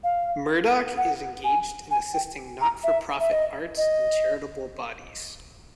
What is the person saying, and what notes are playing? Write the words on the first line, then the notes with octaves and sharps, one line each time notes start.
Murdoch is engaged in assisting not-for-profit arts and charitable bodies.
F5
F#5
G#5
G#5
G5
A#5
E5
E5
D#5
D#5